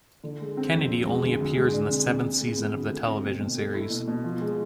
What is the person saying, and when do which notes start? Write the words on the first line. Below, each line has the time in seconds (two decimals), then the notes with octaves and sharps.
Kennedy only appears in the seventh season of the television series.
0.23 D3
0.41 G#3
0.57 C4
0.74 F2
0.90 C3
1.07 G#3
1.24 D2
1.40 D2
1.57 G#3
1.74 D4
1.91 C3
2.08 C3
2.24 C3
2.41 G#3
2.57 B3
2.74 D2
2.91 A3
3.07 C4
3.24 B2
3.40 B2
3.57 A3
3.74 E4
3.90 B2
4.08 B2
4.24 F3
4.41 G#3